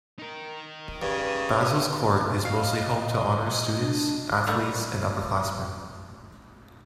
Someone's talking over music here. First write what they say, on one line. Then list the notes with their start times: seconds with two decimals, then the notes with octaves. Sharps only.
Basil's Court is mostly home to honors students, athletes, and upperclassmen.
0.19 D#4 A#4
1.02 G2 C#3
2.45 D#5 F5
3.78 D4
4.46 G3 A3 A#4 C#5 F#5